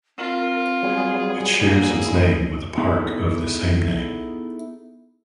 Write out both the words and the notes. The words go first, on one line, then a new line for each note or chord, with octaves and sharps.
It shares its name with a park of the same name.
C4 F4 A#4
F#3 G3 B3 G#4
A#3 A4
E4
B3 D#4 E4 G#4 A4